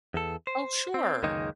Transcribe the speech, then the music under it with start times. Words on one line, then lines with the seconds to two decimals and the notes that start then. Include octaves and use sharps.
Oh, sure.
0.14 E2 A4
0.47 C5
0.94 C4
1.23 C#2 F#2 D#3 G#3 A#3 D#4